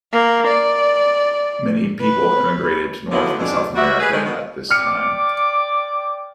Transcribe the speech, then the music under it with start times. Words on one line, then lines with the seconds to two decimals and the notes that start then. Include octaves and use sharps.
Many people emigrated to North and South America at this time.
0.12 A#3
0.47 D5
2.01 B4
3.12 D3 D#3 F#3 A#3 B3 E4
3.40 F2 G#2 B2 D4
3.75 G3 F#4 E5
4.00 G#4 B4
4.13 D3 D#3 G#3
4.25 B2 D#3
4.70 D5 G5 D6 F6 C#7